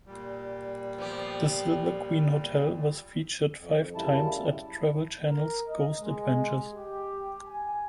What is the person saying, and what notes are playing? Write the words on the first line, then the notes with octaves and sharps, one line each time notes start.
The Silver Queen Hotel was featured five times at Travel Channel’s Ghost Adventures.
A#2 G3
F3 B3 G4
F2
F#2 C#3 G3 E4 A5
A#4
D#5
G#3
G4
G#5